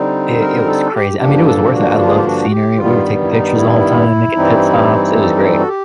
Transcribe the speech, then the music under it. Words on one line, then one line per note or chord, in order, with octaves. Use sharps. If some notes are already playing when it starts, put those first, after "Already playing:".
It it was craz I mean, it was worth it, I loved the scenery, we were taking pictures the whole time, making pit stops, it was great.
Already playing: D3 G3 C4 D#4
A#4
A4
G4
G2 D3 F3 A#3 D4 G4
A4
G4
F#4
F4
G#4
G4
F#4
G4
G2 D#3 G3 B3 F4
E4
D#4
E4
G2 E3 G3 C4 D#4
A4
A#4
A4
F#4
G4